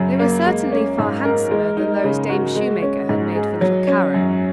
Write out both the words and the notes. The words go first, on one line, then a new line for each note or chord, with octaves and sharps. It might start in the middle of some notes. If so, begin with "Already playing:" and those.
They were certainly far handsomer than those Dame Shoemaker had made for little Karen.
Already playing: F#2 C#3 F#3
A#3
G#3
C#4
G#2
A#4
G#3
D#4
C#3
F#4
G#3
C#4
G#2
G#4
F#3
C#4
F#2